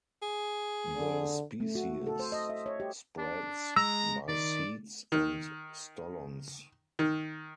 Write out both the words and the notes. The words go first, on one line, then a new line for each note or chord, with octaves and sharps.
The species spreads by seeds and stolons.
G#4
D3
A3
F#4
A4
C5
D#5
E5
C#5
G4
D4
G#3 A#5 E6
D#3 D5
D#3
D#3